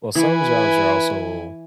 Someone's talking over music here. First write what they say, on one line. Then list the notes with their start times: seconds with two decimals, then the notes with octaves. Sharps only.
well, some jobs are also
0.15 E3 E4 B4 G#5